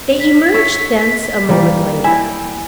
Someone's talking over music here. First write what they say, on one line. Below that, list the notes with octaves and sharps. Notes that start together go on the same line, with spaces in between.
They emerged thence a moment later.
B6
C#5 E5
E3 G3 A#3 D#4
E4 E5 G5 G#5